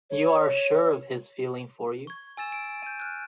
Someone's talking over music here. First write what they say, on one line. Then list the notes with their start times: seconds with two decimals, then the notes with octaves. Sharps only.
You are sure of his feeling for you?
0.10 C#5
2.07 C#6 G#6
2.37 G#5 E6 A6 E7
2.52 D7
2.83 G6 D#7
3.00 F6 F#6